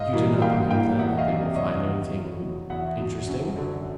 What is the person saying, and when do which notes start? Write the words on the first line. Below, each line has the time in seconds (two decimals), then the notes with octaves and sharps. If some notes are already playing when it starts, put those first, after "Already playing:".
"You do not believe, then, that they will find anything--interesting?"
Already playing: G#2 D#5 F5
0.13 E3 G3 A#3
0.42 G#2 F5 G5
0.70 E3 G3 A#3 F5 G5
0.99 E2 E5 F#5
1.17 D#5 F5
1.28 C3 D#3
1.36 D5 E5
1.55 E2 C#5 D#5
1.85 C3 D#3
2.13 E2
2.42 B2 F#3
2.70 E2 E5 F#5
2.98 B2 F#3
3.27 F#2
3.56 D3 F#3